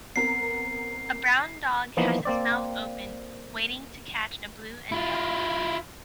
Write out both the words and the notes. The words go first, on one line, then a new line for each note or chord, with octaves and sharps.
A brown dog has its mouth open waiting to catch a blue and yellow toy.
B3 C4 A#4 C7
E3 F3 A#3 B3 D#4
A#3 C4 D5
E4 F4